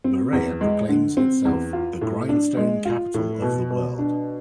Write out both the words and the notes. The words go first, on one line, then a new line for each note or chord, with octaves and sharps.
Berea proclaims itself "The Grindstone Capital of the World".
C4
E2
G#3
D3
C4
E2
F4
A2
D4
G#3
F4
A2
B2
B2
D4